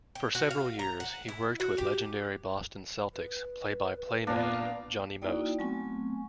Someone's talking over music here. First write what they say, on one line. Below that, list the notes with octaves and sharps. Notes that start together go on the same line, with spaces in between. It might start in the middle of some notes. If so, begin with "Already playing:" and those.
For several years, he worked with legendary Boston Celtics play-by-play man Johnny Most.
G5
F#4
F5
A#5
F#5
E4
F#4
G4
B4
A#2 A#3 B3 D4 F5
A#3 D#4 E4 F#4 D5 G5
F#3 A3 B3 C4 G#5 C#6